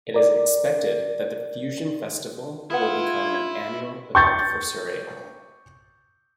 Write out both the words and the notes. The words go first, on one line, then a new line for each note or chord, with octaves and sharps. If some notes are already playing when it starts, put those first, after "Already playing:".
It is expected that the Fusion Festival will become an annual event for Surrey.
A#4 D5
E4 F4 G#4 B4 F#5 G#6
C#6 G6 A6